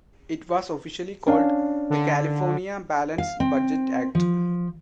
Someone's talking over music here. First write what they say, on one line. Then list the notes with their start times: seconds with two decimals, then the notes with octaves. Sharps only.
It was officially called the California Balanced Budget Act.
1.27 C#4 D4 F5
1.90 D3
3.18 F5
3.40 C4
4.15 F3